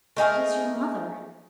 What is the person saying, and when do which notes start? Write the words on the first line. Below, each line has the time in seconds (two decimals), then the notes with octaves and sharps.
"It is your mother!"
0.17 A3 D#4 G#4 A#4